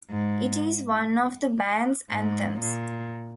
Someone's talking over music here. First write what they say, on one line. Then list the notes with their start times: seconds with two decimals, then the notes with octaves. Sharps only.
It is one of the band's "anthems".
0.10 G#2
2.11 G#2
2.61 A#2